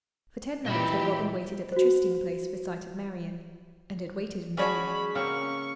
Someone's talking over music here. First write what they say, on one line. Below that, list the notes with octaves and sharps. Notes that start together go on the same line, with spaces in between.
For ten nights had Robin waited at the trysting place for sight of Marian; and had waited in vain.
A#2 E3 G4 D#5 E5 B5
F#4 C5
G#3 C#4 F#4 G#4 D5 A5 B5
C#3 A#3 C4 C#4 C#6